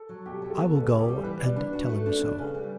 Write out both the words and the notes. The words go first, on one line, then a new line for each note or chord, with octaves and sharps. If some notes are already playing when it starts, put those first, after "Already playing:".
I will go and tell him so.'
Already playing: A4
F#3
B2 G4
F#3
A4
B3
D2 A4
C#3
G4
G3
E3 B4
G3 D5
D4 B4
F#4
A3
D4
D4
C#3
G3